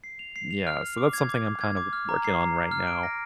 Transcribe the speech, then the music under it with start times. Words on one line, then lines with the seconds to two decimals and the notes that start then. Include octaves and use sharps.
yeah, so that's something I'm kind of w working on right now.
0.04 C7
0.19 F7
0.36 C7
0.51 F7
0.67 F6
0.83 F6
0.98 D6
1.13 G#6
1.29 D6
1.45 D6
1.61 G#6
1.77 D6
1.93 F6
2.09 A#5
2.24 C7
2.41 A#5
2.56 A#5
2.71 F6
2.87 D7
3.03 A#6